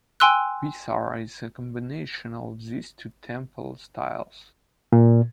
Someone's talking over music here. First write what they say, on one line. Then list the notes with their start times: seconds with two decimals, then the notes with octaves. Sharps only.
Vesara is a combination of these two temple styles.
0.20 G5 G#5 C6 E6 F#6
4.92 A#2